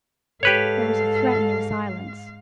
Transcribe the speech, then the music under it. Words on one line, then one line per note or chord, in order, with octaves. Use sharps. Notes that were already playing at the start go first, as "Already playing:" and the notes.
There was a threatening silence.
G#2 G4 A4 B4 C#5 F5